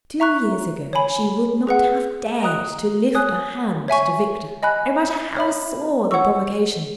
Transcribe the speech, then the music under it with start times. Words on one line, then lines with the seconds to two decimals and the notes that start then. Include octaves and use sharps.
Two years ago she would not have dared to lift a hand to Victor, no matter how sore the provocation.
0.20 E5 A#5 C#6 F#6
0.93 C#5 G#5 B5
1.67 G#4 B4 F#5
2.41 D#5 A#5 D#6 F#6
3.15 C#5 G#5 D#6 F#6
3.88 C#5 E5 G#5 C#6
4.63 D#5 G#5 B5 F#6
5.37 C#5 E5 B5
6.11 C#5 F#5 C#6 E6